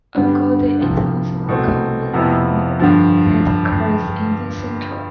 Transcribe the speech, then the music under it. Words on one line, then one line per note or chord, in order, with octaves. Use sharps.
Agouti is also a common animal that occurs in the centre.
G2 D3 G3 B3 D4
C2 C3 F3
C2 B2 A3 C4
F2 C3 F3 B3 E4
G2 D3 F3